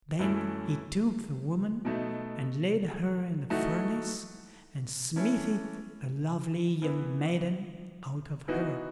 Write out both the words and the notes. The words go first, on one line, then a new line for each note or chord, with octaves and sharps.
Then he took the woman and laid her in the furnace, and smithied a lovely young maiden out of her.
F#2 E3 A3 E4
B2 A3 D#4
E3 A3 D#4 F#4
E3 A3 C#4
E3 B3 E4
E3 B3 D#4 F#4